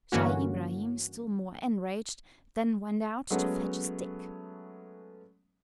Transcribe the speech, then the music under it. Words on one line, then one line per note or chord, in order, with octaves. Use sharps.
Scheih Ibrahim, still more enraged, then went out to fetch a stick.
G2 D3 E3 A#3 C#4 F#4
F#3 G#3 A3 B3 C#4